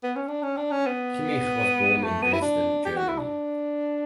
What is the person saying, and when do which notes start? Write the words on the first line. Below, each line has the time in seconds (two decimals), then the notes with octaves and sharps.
Kimmich was born in Dresden, Germany.
0.03 B3
0.16 C#4
0.28 D4
0.43 C#4
0.57 D4
0.71 C#4
0.86 B3
2.03 A3
2.22 B3
2.33 E4
2.41 D4
2.85 G4
2.96 F#4
3.08 E4
3.19 D4